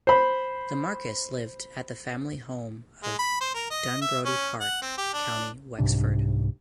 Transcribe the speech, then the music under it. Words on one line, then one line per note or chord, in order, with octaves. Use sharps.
The Marquess lived at the family home of Dunbrody Park, County Wexford.
C5 B5
G#3
B5
C5
A#4
D#5
E5
C#4
F#5
C4
G4
D4
C2 G#2 C3 D4